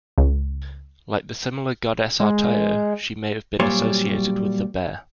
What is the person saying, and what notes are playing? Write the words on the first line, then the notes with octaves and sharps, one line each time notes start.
Like the similar goddess Artio, she may have been associated with the bear.
C#2
G#3
A#2 F#3 G3 C5 C#5